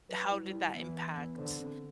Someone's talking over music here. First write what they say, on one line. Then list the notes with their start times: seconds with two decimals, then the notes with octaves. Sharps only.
how did that impact
0.09 F#3 B4
0.31 E4
0.42 G3
0.52 E4
0.74 E3 B3
0.95 B4
1.17 B3
1.38 D3 C5
1.60 C4